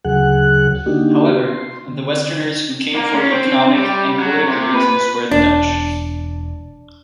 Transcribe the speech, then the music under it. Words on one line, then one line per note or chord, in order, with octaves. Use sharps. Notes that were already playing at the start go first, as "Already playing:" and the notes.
However, the westerners who came for economic and political reasons were the Dutch.
D2 C#3 F#3 G#4 F#5 F#6
D3 A#3 D4 D#4 F#4 G4
C6
D3
A#3
C#4
C4
G3
F#3
C3
B4
E1 D4